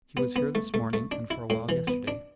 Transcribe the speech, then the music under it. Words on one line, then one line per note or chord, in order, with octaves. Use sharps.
"He was here this morning and for a while yesterday."
B3
B3
A3
A3
A3
D4
E4
A2
E3
B3
D4